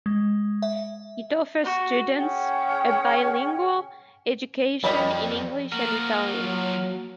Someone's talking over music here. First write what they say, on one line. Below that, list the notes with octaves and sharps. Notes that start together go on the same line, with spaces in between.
It offers students a bilingual education in English and Italian.
G#3
E5
F#4
C#4 G#4 F#5 G5
F2 G3 D#5 B5
F3 A#3 F#4 A#4
F#3